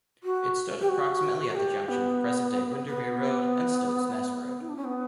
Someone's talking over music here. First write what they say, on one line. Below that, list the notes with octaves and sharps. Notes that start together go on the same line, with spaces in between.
It stood approximately at the junction of present-day Windermere Road and Stoat's Nest Road.
F#4
G4
F#4
A#4
G4
B3
B3
E4
D4
C#4
B3